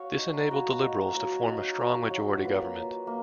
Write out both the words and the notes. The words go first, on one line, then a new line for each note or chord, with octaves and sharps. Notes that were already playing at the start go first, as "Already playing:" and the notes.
This enabled the Liberals to form a strong majority government.
Already playing: F#4 C#5 F5
D#4
F#4 C#5 F5
D#4
F#4 C#5 F5
D#4
F#4 C#5 F5
F#3
A#3 F4 B4
F#3
A#3